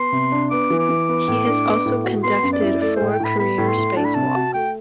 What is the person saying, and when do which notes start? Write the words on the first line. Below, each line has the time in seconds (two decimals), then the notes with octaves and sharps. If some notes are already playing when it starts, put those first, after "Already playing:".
He has also conducted four career spacewalks.
Already playing: B3 C6
0.12 C3
0.32 D4
0.51 B3 D6
0.70 E3
0.79 D6
0.89 E3
1.09 B3
1.28 A2
1.47 D4
1.66 B3
1.85 A2
2.04 F#4
2.24 B3 C6
2.43 F#2
2.53 D5
2.62 E4
2.81 A3 D5
2.96 A2 C5
3.10 G5
3.20 A2 B5
3.39 B3 B5
3.58 A2
3.67 C6
3.77 A2
3.96 D4 A5
4.05 B5
4.14 C3 A5
4.35 F#4
4.54 A3 G5